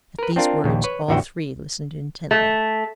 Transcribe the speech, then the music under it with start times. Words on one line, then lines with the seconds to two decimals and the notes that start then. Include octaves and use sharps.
At these words all three listened intently.
0.19 A#4 B4
0.36 C4 D4 F4 A#4
0.64 A#1 D#2
0.84 B4 C#5
1.08 A1 E2 D3 F#4 E5 G5
2.31 A3